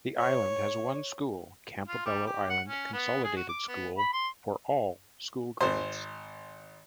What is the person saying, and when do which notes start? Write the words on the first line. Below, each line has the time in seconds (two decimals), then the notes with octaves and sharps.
The island has one school, Campobello Island Consolidated School, for all school grades.
0.17 C#5
1.88 F4
2.06 G3
2.27 G4
2.50 F#5
2.68 C#4
2.93 B3
3.24 G#4
3.36 F#4
3.49 D6
3.68 B3
3.98 B5
4.13 C6
5.60 G#1 C5